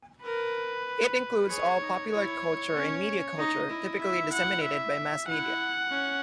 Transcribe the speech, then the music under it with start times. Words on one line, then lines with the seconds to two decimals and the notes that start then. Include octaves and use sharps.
It includes all popular culture and media culture, typically disseminated by mass media.
0.24 A#4 B4
1.50 G#4 C#5
1.81 D#4
2.12 E4 C#5
2.75 C#4
3.38 D#4 D#5
3.69 E4
4.01 E5
4.33 F#5
4.64 E5
5.27 E4 F#5
5.90 C#4